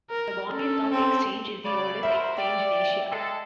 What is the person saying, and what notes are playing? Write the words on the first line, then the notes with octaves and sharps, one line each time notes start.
The Bombay Stock Exchange is the oldest exchange in Asia.
A#4
C#4 A4
C4
C#3 D5 B5
F#3 A#4 C5 E5
D5 G5
G#3 A4